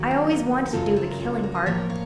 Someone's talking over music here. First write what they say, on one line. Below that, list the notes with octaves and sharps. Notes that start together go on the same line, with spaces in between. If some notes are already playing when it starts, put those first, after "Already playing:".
I always wanted to do the killing part.
Already playing: D#3 F#3 A#3
F4
F#2 C#3 F#3 F4 A4
F4 A4
A#4
F4 A4
F#4 A#4
D#5
A2 F3 A#3 A#4 C#5
C#5 F5